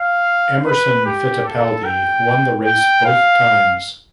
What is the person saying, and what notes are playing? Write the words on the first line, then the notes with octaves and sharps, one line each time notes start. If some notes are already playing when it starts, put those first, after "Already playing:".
Emerson Fittipaldi won the race both times.
Already playing: F5
B4
G4
A4
G5
G5
F5